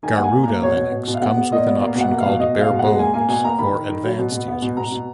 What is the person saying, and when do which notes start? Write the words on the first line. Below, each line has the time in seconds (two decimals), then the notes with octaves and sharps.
Garuda Linux comes with an option called Barebones for advanced users.
0.03 D#3 G#5
0.18 A#3 F#5
0.24 G#5
0.33 A#3
0.43 A#3 A#5
0.62 B2 C#5
0.77 B2
0.92 B2
1.08 B2
1.14 F5
1.22 B3 F#5
1.37 B3
1.52 A#2 D#5
1.67 B3
1.81 A#3
1.95 B2
2.01 F#5
2.11 A#3
2.20 F5
2.26 B2
2.40 B2 D#5
2.55 G#3
2.60 F5
2.71 B2
2.79 F#5
2.85 G#3
2.99 A#3 G#5
3.14 A#3 G#5
3.29 B2 G#5
3.44 A#3 A#5
3.59 D#3 B5
3.73 D#3
3.89 D#3
4.04 F#3
4.19 B2
4.32 B2
4.48 B3
4.62 B2
4.77 B2 A#5
4.92 B2